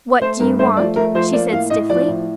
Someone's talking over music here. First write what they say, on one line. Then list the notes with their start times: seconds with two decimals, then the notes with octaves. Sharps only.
"What do you want?" she said stiffly.
0.21 A3 C5
0.39 G2 A#4
0.59 A3 C5
0.77 F3 D5
0.96 A3 A#4
1.15 F3 C5
1.33 A#3 D5
1.52 A2 F5
1.70 A2 D#5
1.90 F3 D5
2.08 A2